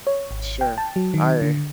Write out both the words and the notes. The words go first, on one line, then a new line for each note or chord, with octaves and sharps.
Sure, I
C#5
G#1
G5
A5
F#3
D#3
D3